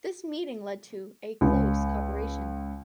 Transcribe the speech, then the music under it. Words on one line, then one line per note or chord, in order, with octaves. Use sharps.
This meeting led to a close cooperation.
C#2